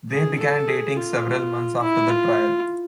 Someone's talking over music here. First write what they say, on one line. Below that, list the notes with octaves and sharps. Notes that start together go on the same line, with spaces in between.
They began dating several months after the trial.
G#4
A4
G#4
F4
E4
F4